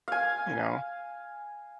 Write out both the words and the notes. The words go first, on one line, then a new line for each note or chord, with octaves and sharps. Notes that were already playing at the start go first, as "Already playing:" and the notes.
you know.
F5 G#5